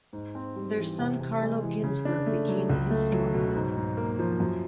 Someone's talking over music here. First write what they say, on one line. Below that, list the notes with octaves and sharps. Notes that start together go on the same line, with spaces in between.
Their son Carlo Ginzburg became a historian.
G#2
C4
G3
E3
C3
C3
G#3
E3
C#3
D4
A3
F#3
C#2
A3
F#3
B2
G#2
G#2
A#3
F3
F#2